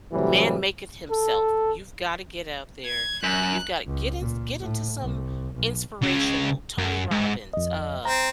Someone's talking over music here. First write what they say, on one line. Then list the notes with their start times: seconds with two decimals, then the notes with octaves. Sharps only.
man maketh himself. You've gotta get out there. You've gotta get in get into some inspirational Tony Robbins. Uh,
0.12 A2 C3 E3 F#3 G3
1.11 A4
2.86 G#6
3.23 F#2 F#6
3.87 C#2
4.19 A#2
4.61 A2
5.01 C2
5.55 B1
6.02 C#2 C#3
6.78 F#2
7.11 G#2
7.53 F2 D#5
8.05 C4 A#5